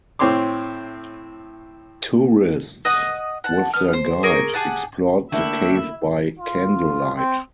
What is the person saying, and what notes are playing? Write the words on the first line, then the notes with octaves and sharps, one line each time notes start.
Tourists, with their guide, explored the cave by candlelight.
A2 C4 C#5 C6 D6
D#5 F#5 D#6
F#5 A5
B3 F6
C5
G#4 A#4 C#6 D6
G4 G#4 F#5 A5
D3 A3 A#3 D4 E4 E5 G5 C#6
F4
C4